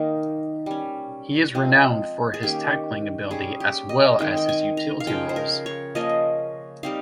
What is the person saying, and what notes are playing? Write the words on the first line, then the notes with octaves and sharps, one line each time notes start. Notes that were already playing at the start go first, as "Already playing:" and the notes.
He is renowned for his tackling ability as well as his Utility roles.
Already playing: D#3 A#3 D#4
G3 C#4
F3 G#3 C4
G#4
D#3 A#3 C#4 G4
G3 C#4 G#4
G4
D#5
D#3 G#3 C4 D#4 G5
G5
G#5
A#5
F5
C#3 F3 G#3 G5
C5
A#4
C#5
F3 A#3 C#4 D#5
G3 C4 D#4 F5